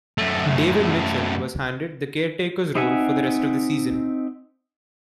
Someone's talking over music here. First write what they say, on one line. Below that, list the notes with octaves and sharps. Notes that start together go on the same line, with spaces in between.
David Mitchell was handed the caretakers role for the rest of the season.
F#2 A3
C4 D#4 E5 F#5 G#5